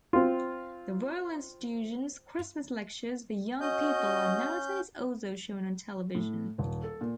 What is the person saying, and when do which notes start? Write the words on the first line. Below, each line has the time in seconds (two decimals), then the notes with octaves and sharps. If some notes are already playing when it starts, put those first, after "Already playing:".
The Royal Institution's Christmas Lectures for young people are nowadays also shown on television.
0.13 C4 F4
3.61 C#4 F#4 D#5 G6
6.15 A2
6.58 D#1
6.83 A4
7.01 A#2